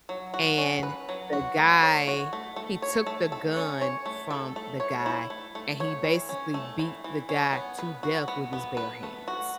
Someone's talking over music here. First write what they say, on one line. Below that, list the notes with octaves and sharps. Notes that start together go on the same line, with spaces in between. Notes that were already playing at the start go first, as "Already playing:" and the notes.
and the guy he took the gun from the guy, and he basically beat the guy to death with his bare hands.
F#3
F#4
C#4
B4
F#3
F#4
A3
C#5
F#4
A3
A3
C#5
A3
A4
C#4
C#5
A3
A4
A3
C#5
E4
A3
A3
C#5
E3
C#4
A3
E3
E3
C#4
B3
B4
F#4
B3
B3
B4
A3
F#4